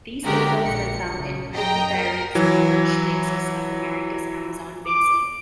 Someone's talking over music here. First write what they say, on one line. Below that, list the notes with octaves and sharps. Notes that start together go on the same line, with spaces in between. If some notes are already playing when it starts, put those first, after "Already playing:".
These turtles are found in tributaries and large lakes of South America's Amazon Basin.
D3 G#3 F#4 G4 A#4
A#1 C#7
C#3
F#2 D#5 G5 A#5
A#4
E3 F#3
D6